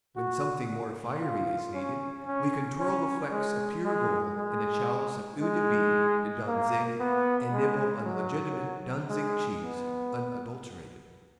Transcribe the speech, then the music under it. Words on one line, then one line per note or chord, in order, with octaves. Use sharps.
When something more fiery is needed we can twirl the flecks of pure gold in a chalice of Eau de Vie de Danzig and nibble on legitimate Danzig cheese unadulterated.
F#4
F4
C#4
C#4
C#4
G#3
G#3
G#3
G#3
A#3
B3
G#3
F#3
G#3
B3